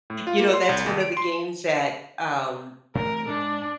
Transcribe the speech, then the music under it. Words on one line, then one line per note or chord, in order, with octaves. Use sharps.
you know, that's one of the games that, um,
A2
F4
A#3
C6
C2
D#2
D7
C6
C3 E3 A3 A#4
G#2 D4